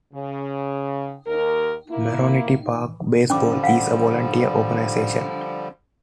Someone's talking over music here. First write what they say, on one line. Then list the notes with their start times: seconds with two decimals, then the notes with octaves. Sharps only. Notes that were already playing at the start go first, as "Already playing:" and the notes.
Merrionette Park Baseball is a volunteer organization.
0.14 C#3
1.26 D#2 A#4
1.89 A#3 E4
3.30 D3 F3 G3 C#4 D6
3.64 F5 F#5